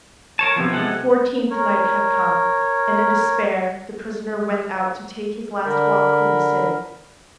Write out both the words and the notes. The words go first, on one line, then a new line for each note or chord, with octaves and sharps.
The fourteenth night had come, and in despair the prisoner went out to take his last walk through the city.
A#4 C#5 A5 G#6
C3 F3 B3 G#6
C3 G#3 A4 F#5
A#4 C#5
D3 A#4 B5